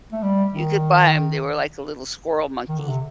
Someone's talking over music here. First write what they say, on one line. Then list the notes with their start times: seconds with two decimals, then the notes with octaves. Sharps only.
you could buy 'em, they were like a little squirrel monkey.
0.13 A3
0.23 G3
0.54 D#3
2.69 D#3
2.78 D3
2.88 C3